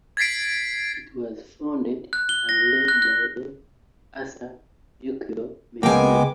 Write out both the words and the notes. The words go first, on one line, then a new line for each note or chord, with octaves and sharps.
It was founded and led by the author Yukio Mishima.
G#6 A6 B6 C7 D7
F#6
G7
A#6
F#6
F#6
C#2 G#3 A#3 B3 G5 G#5 D6